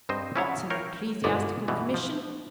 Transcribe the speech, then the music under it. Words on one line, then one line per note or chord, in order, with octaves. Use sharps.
What's an Ecclesiastical Commission?
G2 C4 C5 D#5
C#4 D4 E4 G#4 C#5
A#4 C#5 F5 G5
G1 G#2 B2 B3 F#4 D5
B2 E3 G3
F3